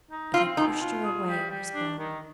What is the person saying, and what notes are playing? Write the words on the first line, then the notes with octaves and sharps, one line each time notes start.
But he pushed her away, and was gone.
D#4
C4 F4
B2 D#4
F4
G#4
G3
G3
D4
D#3